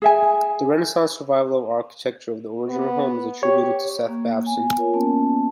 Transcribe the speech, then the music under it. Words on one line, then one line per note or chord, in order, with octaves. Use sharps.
The Renaissance Revival architecture of the original home is attributed to Seth Babson.
G#4 E5 G#5
B3
G4 C#5
A#3
B3 G#5
F4 A#4 C#5
A#3 B3 C#4 A5